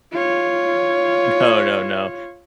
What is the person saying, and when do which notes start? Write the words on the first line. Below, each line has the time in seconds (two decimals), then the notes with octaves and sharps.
no, no, no.
0.13 F4 C#5